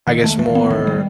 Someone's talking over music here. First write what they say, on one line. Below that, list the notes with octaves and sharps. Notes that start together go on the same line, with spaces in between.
I guess, more
D#3
A3
E3
B3
D#3
G3